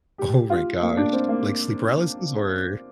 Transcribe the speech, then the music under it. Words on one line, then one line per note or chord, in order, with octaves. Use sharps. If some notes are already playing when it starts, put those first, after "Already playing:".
Oh my gosh. Like sleep paralysis, or
G4
F4
A#3
D4
C4
A#3